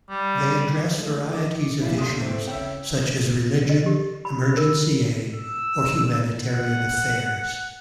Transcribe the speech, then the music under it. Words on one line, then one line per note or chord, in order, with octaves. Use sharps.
They address varieties of issues such as religion, emergency aid, or humanitarian affairs.
G3
G#3 A3 F4
D#5 D6
A#2 F3 E4
D#2 D3 D4 C6 D#6
E2 A3 C4
C#3 E5 G5
D#5
G4
B5
A#4
E6
F#5